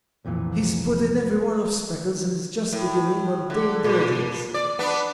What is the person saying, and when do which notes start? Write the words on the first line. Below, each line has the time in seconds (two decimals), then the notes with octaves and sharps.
He's put in every one of Speckle's, and is just beginning on Dame Durden's.
0.25 C2 F2 A#2 E3 F3
2.72 A2
3.50 D3
3.84 A#2
4.54 D5
4.79 B3 D4